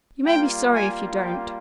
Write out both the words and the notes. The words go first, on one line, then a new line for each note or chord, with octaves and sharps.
"You may be sorry if you don't."
G3 A#3 F4 G5
G#5
G5